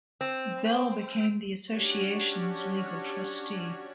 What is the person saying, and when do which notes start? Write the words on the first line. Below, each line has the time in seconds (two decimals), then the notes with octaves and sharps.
Bell, became the Association's legal trustee.
0.21 C4
1.72 C#4 D4 F#4 G4 C#5